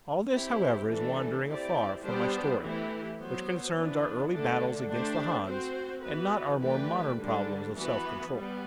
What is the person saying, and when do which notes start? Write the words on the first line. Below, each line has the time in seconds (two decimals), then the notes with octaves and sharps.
All this, however, is wandering afar from my story, which concerns our early battles against the Hans, and not our more modern problems of self-control.
0.31 C4 E4 G4
0.89 E3 A3 D4 A4
1.46 C4 E4 G4 D5
2.03 G3 B3 D4 G4 C5
2.60 E3 A3 E4 G4
3.18 F#3 B3 F#4 C5
3.74 E3 B3 D4
4.31 D3 A3 D4 A4
4.89 A3 D4 G4 C5
5.46 C4 F#4 C5
6.03 E3 B3 F#4 B4
6.61 E3 A3 D4 G4 B4
7.18 D3 G3 D4
7.75 E3 B3 F#4 B4
8.33 G3 B3